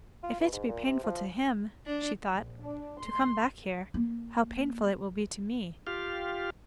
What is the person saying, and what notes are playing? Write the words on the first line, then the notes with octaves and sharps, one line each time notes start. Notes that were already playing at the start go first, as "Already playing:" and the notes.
'If it be painful to him,' she thought, 'to come back here, how painful it will be to me!
F4
B2
G#2
A#2
C3
F3
D4
A#1
D4
C6
A#3
F4 G4 F5